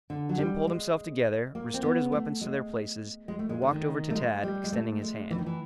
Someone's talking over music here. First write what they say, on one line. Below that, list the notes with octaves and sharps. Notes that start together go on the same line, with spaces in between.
Jim pulled himself together, restored his weapons to their places, and walked over to Tad, extending his hand.
D3
F#3
G3
G#3
A#3
C4
B3
A3
G#3
G#3
A3
G#3
D3
D#3
A3
G#3
G3
G#3
A3
G#3
E3
D#3
E3